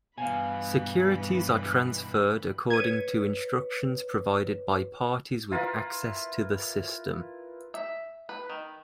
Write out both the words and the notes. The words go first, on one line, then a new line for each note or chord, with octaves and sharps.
Securities are transferred according to instructions provided by parties with access to the system.
G2 B2 E3 F5 G#5 B5
B4 C#5 G#6 D#7
E4 F4 A#4 B4
E5
B4
D#3